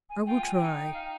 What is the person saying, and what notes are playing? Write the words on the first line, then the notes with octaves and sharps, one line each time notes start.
"I will try."
G#5
F4 G5
G#5
G5
D#4
G5
F5